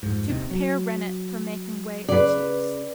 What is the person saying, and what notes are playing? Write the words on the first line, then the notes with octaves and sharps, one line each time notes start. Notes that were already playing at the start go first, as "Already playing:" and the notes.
To Prepare Rennet for making Whey or Cheese.
F2 G#2
D#2 C3 D#3
F#3
C#3 B4 D5